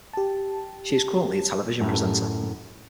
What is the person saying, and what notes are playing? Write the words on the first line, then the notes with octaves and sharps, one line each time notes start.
She is currently a television presenter.
G4 A5
F#2 A2